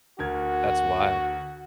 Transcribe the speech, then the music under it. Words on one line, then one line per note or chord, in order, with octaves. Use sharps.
That's wild.
D2 F#4 A#4 G#6